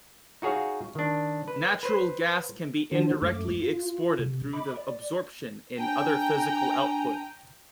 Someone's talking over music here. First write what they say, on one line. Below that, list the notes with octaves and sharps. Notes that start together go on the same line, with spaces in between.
Natural gas can be indirectly exported through the absorption in other physical output.
D#4 F#4 G#4 C#5 F5
D#3 D4
B4
B4 C5
D#3 D4 F#4 C5
F#2 A3 D6
F4
C3
D#5 B5 D6
D5
D4 G5 G#5 A#5